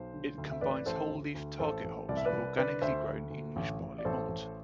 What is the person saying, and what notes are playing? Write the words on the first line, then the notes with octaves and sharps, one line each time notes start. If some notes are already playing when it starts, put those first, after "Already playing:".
It combines whole leaf Target hops with organically grown English barley malt.
Already playing: B1 C5
D3
D2
E5
A1 B4 D5
A1 A4 C5
D2
D2
A1 A4 C5
A1
C2 D5
E5
B4 D5
C2
D3 B4 D5
D2 C5 E5
D2
D2
A1
A1
D5
A1 A4 C5
A1